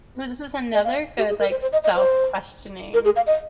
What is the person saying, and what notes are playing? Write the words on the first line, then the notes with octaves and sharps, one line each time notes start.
Well, this is another good, like, self-questioning.
D#5
F5
G4
G#4
A#4
C5
C5
D#5
D#5
C5
A#4
G#4
F5
D#5